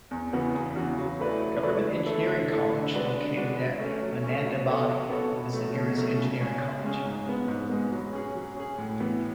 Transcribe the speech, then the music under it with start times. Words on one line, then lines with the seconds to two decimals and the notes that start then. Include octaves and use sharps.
Government Engineering College located at Mananthavady is the nearest engineering college.
0.11 E2
0.33 C#3 E3 B3 F#4
0.54 E2
0.76 C#3 E3 B3 F#4
0.98 F#3
1.19 A3 E4 B4 D5
1.41 F#3
1.63 A3 E4 B4 D5
1.84 D3
2.06 A3 E4 A4
2.28 D3
2.50 A3 E4 A4
2.71 D3
2.93 G#3 D4 F#4 B4
3.14 D3
3.36 G#3 D4 F#4 B4
3.58 F#3
3.80 A3 C#4
4.01 F#3
4.23 A3 C#4
4.44 F#3
4.66 B3 F#4 A4 C#5
4.88 F#3
5.10 B3 F#4 A4 C#5
5.32 B2
5.53 F#3 A3
5.75 B2
5.97 F#3 A3
6.18 C#3
6.40 G#3 C#4 G#4
6.62 C#3
6.83 G#3 C#4 G#4
7.05 G#2
7.26 G#3 B3
7.48 G#2
7.70 G#3 B3
7.91 F#3
8.13 C#4 G#4
8.35 F#3
8.56 C#4 G#4
8.78 A2
9.00 E3 B3